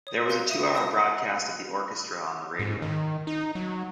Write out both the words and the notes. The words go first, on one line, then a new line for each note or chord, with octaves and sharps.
There was a two-hour broadcast of the orchestra on the radio.
C#5 D#6
A#4 F5 C6 F#6 G6 C#7
E5 D#6 D#7
F5 G5 A5 D#6 E6 A#6
G#2
D#3
D#4
F#3